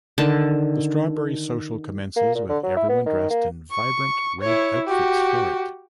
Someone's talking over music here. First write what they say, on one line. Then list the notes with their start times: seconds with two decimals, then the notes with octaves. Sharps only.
The Strawberry Social commences with everyone dressed in vibrant red outfits for it.
0.18 D3 D#3 A5
2.16 A#3
2.35 A#2
2.49 D3
2.63 F#3
2.77 E4
2.89 B3
3.06 D#3
3.31 A#3
3.71 C#6
4.41 E4 C#5
4.88 F#4 G4